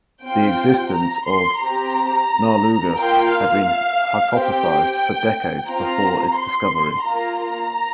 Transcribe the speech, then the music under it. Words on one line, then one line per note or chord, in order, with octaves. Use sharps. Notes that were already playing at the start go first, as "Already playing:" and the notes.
The existence of narlugas had been hypothesized for decades before its discovery.
C4 F4 G5
A#5
C6
C4 G4 A#5
A#3 F4 G5
F5
C4 G4 G5
C4 F4 A#5
C6
A#3 F4 A#5